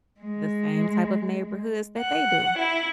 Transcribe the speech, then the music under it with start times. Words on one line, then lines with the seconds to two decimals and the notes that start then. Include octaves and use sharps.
the same type of neighborhoods that they do.
0.21 G#3
1.97 F#5
2.58 E4